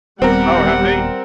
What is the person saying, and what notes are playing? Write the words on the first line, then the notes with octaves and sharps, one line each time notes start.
Oh, have they
D#1 G3 B3 C4 A#4 F#5